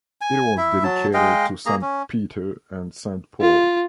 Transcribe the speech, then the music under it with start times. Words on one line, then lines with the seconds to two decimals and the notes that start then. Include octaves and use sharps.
It was dedicated to Saint Peter and Saint Paul.
0.21 G#5
0.58 E4 E5
0.84 F#3 A5
1.14 G#3 D#5 F5 G5
1.66 A#3 G#4 A#5
1.82 C#4
3.41 F4